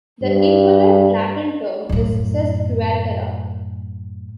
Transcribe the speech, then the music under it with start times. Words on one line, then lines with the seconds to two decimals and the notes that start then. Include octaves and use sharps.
The equivalent Latin term is sesquialtera.
0.23 G2
1.89 F#2 A2